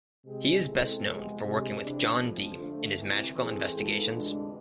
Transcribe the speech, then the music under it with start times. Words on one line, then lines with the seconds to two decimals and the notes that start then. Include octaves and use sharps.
He is best known for working with John Dee in his magical investigations.
0.25 C3 G#3 C4 G#4
0.63 B2 G#3 C4 E4 A4
1.02 F2 C3 G#3 B3
1.41 C3 G#3 D4 G#4
1.79 C2 C3 E3 A3 D4
2.19 F2 C3 F3
2.57 D3 F3 A3
2.96 C2 C3 E3
3.35 E3 A3 C4 G#4
3.73 G#2 E3 B3 F4 A4
4.12 D2 C3 E3 G#3 D4